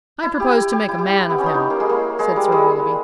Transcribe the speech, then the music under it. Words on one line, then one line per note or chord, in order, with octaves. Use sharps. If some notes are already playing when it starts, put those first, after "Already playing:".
"I propose to make a man of him," said Sir Willoughby.
E4
G4
G4
E4
G4
E4
B3
C#4
D#4
E4
A#3
G#3
A#3
G#3
G3
G#3